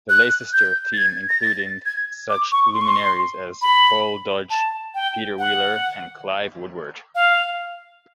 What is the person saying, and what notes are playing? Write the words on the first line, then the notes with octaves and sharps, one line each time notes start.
The Leicester team including such luminaries as Paul Dodge, Peter Wheeler and Clive Woodward.
F#6
G6
A6
G#6
A#6
A6
G#6
D6
C#6
C6
C#6
C6
B5
A5
G5
F#5
F5